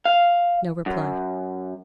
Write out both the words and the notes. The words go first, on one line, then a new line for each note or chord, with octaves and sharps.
No reply.
F5
F#2